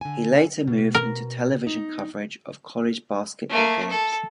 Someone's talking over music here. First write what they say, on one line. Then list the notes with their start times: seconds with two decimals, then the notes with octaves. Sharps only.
He later moved into television coverage of college basketball games.
0.01 D3 G#5
0.68 B2
0.95 A#4
1.67 D#4
3.50 A3 A#3
3.90 A4